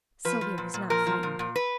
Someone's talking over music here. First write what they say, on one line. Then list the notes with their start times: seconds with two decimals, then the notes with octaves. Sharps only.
Sylvia was not frightened.
0.25 F3 B4
0.41 F3
0.58 A#2
0.74 A#2
0.90 F3 A#4
1.07 F3
1.23 A#2
1.39 A#2
1.56 B4